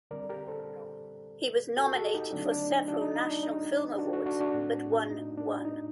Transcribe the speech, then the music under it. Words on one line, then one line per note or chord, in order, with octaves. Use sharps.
He was nominated for several National Film Awards but won one.
D3 G3 C4 A#4 D5
G4 A#4
A4 C5
F#4 A4
F#4 A4
D#4 G4
D3 F#3 A3 C4 D4
D4
D#4
D4 F#4
D#4
D#4
D4
D#4
D4 F#4
F#4 A4
D4 F#4
D4 F#4
A2 A3 C4
D#4
D4
D#4